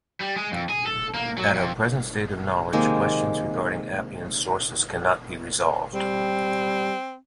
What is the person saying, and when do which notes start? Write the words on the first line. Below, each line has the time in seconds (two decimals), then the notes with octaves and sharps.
At our present state of knowledge questions regarding Appian's sources cannot be resolved.
0.20 G3
0.37 G#3
0.52 F2
0.69 G#4
0.86 A4
1.14 A#3
1.38 F#3
1.55 F2
2.73 C3 D#3 G#3 A#3
5.95 G3 C4